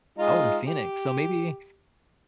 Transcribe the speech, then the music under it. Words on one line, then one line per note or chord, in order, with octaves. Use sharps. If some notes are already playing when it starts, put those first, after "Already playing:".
I was in Phoenix. So maybe
G#3 D#4 F4
G4